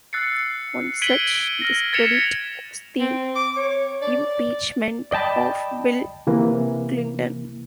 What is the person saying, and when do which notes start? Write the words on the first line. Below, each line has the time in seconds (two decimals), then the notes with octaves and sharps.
One such discredit was the Impeachment of Bill Clinton.
0.13 E6 F#6 A6 C7 C#7
1.02 G#6 B6 D7 D#7 F#7 G7
1.62 F6 A#6
1.93 G#6 A6 B6 C#7 E7 F7
3.00 C4
3.35 D6
3.56 C#5
4.02 D5
5.11 D5 D#5 G5 A5 B5
6.27 C3 E3 A#3